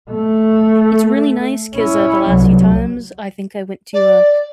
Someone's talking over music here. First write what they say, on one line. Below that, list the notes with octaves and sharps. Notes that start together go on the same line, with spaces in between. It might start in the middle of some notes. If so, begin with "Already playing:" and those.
it's really nice 'cause, uh, the last few times, I think I went to, uh,
A3
C#4 E4
C2 F#3
D5